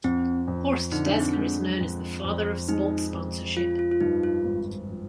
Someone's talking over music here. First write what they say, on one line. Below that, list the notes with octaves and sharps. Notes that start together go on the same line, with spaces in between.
Horst Dassler is known as the father of sport sponsorship.
F2 C4
F2
D3 D#4
D4
C4
G#3 D4
F2
F2
G#3 D#4
F2
F3 F4
F4
F4
G2 D#4
F4
G#1
F3